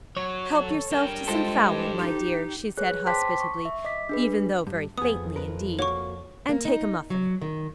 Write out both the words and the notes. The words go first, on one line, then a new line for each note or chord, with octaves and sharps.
"Help yourself to some fowl, my dear," she said hospitably, even though very faintly indeed, "and take a muffin."
F#3 C#5
A4
G2 A#4 G5
G#3 F4 A4 C5
G4
D#4
G#4 B4 C#5 F#6
C5 G5 A5 C6 D6 B6
C#6
E5
D#5 D6 B6
D4 G#4 B4
G2
F2 B3 G#4 D#6
A#4 B4
A#3 F#4 C#5 C#6
A#3
D#4
F#3
D#3